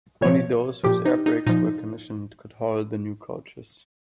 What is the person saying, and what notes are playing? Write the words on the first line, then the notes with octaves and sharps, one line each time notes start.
Only those whose air brakes were commissioned could haul the new coaches.
A#2 F3 C#5
A#2 F3 G4
D#4
D#4
A#2 F3 D#4